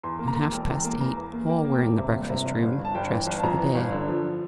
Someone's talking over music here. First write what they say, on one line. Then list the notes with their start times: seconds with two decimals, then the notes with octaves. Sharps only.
At half-past eight all were in the breakfast-room, dressed for the day.
0.03 E2 C6
0.19 A#3
0.28 A#5
0.36 A#3
0.52 E1 G5
0.68 E2
0.84 A#3
1.01 E2 A#5
1.17 E3
1.33 A#3
1.49 A#3 G5
1.65 A#3
1.81 E1
1.98 C3
2.14 G1
2.30 C3
2.45 G1
2.62 G1
2.79 G1
2.85 A5
2.95 G1 G5
3.11 E3
3.27 G1
3.39 A5
3.43 F2 A#5
3.59 E3
3.75 G1
3.92 D3
4.08 F3